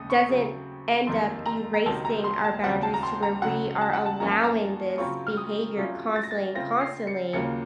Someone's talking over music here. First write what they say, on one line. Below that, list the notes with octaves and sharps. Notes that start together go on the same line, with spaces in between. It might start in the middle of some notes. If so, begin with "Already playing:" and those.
doesn't end up erasing our boundaries to where we are allowing this behavior constantly and constantly
Already playing: D#2 C#3 A3 D#6
C#6
C#3 F#3 A3 C4
F2 C3 D#3 A#3 C6
A#5
A#5
C#2 C3 D#3 F#3 A5
A#5
C6
A5
D#2 C#3 F#3 C4 F#5
A5
A#5
C6
A#5
C#2 C#3 F#3 F#5
A5
F#5
A5
F#2 F3 A#3 C#4 F4 A#5
A5
A#5
C#3 F#3 C4 F4 C#6
F6
D#6
C3 F#3 A3 C#4 F4
A6
A#6
A6
C#3 A3 C4 F4 A#6
C7
C#7
D#2 C#3 F#3 A#3 F4 C#7